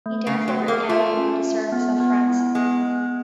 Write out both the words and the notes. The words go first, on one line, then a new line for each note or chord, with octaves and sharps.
He therefore again entered the service of France.
A3
C#3
A3
F#3
G#4
A#3
A3 F4
C#4
F4
B3
B3
E4
G#3 B3
B3